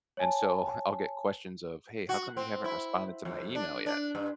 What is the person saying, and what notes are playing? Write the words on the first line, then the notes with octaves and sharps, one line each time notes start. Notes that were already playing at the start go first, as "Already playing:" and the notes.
and so I'll get questions of, "Hey, how come you haven't responded to my email yet?"
C#5 G#5 A5
F#4
C4
E4
F2
D4
D4
G2